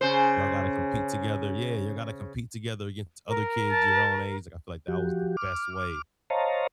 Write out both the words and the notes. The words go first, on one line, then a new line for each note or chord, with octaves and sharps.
y'all gotta compete together yeah, you gotta compete together against other kids your own age, like I feel like that was the best way,
C#3 G#4 C5
A#4
A5
F3 F#4 G4
D6 F6
C5 C#5 D#5 F5 A5 A#5